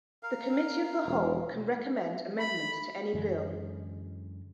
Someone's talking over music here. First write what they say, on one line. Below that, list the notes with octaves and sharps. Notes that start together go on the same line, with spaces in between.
The Committee of the Whole can recommend amendments to any bill.
A#4 F5
E1
B5
F#2 D3 E3 G#3